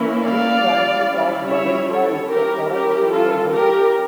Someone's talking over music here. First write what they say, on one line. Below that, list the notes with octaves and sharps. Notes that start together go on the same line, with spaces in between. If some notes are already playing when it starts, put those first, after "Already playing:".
Duke Francis of Bavaria is the current senior heir.
Already playing: E3 A#3 C#4 E4
D5 F5
G3 C#4 E4
C#5 E5
A4 C#5
G3 C#4 E4 G4 A#4
G4 A#4
F4 A4
G4 A#4